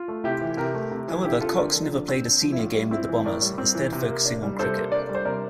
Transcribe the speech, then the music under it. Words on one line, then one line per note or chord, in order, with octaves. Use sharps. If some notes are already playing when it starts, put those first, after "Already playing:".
However, Cox never played a senior game with the Bombers, instead focusing on cricket.
Already playing: F4
A3
C3 E4 G4
E3
C3 G4 A#4
A3
C3
E3
D3 E4 G4
C4 F4 A4
D3 A#4 D5
F3
D3
C4
D3
F3
E4
A2 F4
G3
C4 E4
E3
A2 A#4 D5
G3
C4
E3
C3
A#3
D4
G3
C3 A4 C5
A#3
D4 A#4 D5
G3
C5
C3 A#4 D5